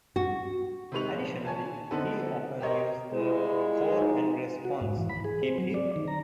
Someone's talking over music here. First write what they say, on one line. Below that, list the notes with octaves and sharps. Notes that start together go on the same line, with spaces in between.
Additionally, he often used the call and response, Hip hip?
F#4
C3 D#3 G#3 B4 C#6 F7
A#2 F3
C#5 G#5 A5
D3 B3 C4 D#4 A4 B4
G4 A#4 C5 C#5 D#5
A#2 G3 G#3 E4
D#4
F#4
G#2
E3
B5
G#4
C4
F#3
D5
D#3
A#5